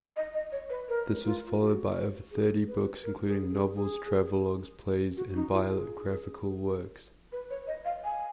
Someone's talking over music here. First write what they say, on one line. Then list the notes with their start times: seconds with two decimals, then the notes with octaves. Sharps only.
This was followed by over thirty books including novels, travelogues, plays and biographical works.
0.16 D#5
0.34 D#5
0.52 C#5
0.70 B4
0.89 A#4
1.24 F4
1.60 F#4
2.31 G#4
2.68 B4
3.03 A#4
3.27 G#4
3.50 G#4
3.74 G#4
5.17 F#4
5.35 D#4
5.52 F4
5.70 G#4
7.32 B4
7.50 C#5
7.67 D#5
7.85 F5
8.04 G#5